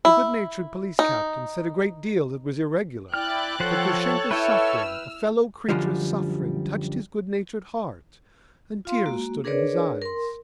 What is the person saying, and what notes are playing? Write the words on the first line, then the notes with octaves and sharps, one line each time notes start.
The good-natured police captain said a great deal that was irregular, but Grushenka's suffering, a fellow creature's suffering, touched his good-natured heart, and tears stood in his eyes.
E4
D#4
E4 D5 G5 F6 F#6 A6
F3 A4 C5 C#5 F#5
E4 B4 G5 E6 F6
F#2 D3 F3 G3
F4 F5 C6
G#3 A#3 F#4
D4 G#4 A#4 B4 C#5 D5
A#4 C6